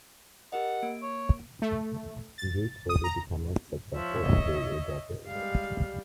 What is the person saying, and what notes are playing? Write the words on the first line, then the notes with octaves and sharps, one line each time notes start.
Gates later became a successful interior decorator.
G4 A#4 D#5 F#5
A#3 D7
C#5
A3
A6
D#6
A#5
F3 C#5 E5
D#5
G3 G#3 F5